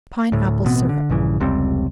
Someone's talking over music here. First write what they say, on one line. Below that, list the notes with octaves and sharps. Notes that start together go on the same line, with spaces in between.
Pine Apple Syrup.
D2 A2
A1 B2 B3 C4
D3
A#1 G2 C#3 E3
F1 C#2 G3 C4